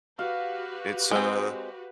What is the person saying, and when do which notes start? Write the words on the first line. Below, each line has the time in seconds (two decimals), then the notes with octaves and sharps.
it's a
0.19 F#4 G4 B4 F5
1.11 G#3 C4